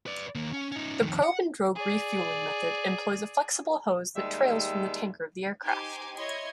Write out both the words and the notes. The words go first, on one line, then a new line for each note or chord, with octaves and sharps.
The probe-and-drogue refueling method employs a flexible hose that trails from the tanker aircraft.
B4 D5
D#2 A#3
C#4
C#4 D#4
F2 D#3
F#5
G#4 D5
D#2 G3 G#3 E5
D#4 G4 C5 G#5 D6 C7
E4 C#5 D#5 C6 G#6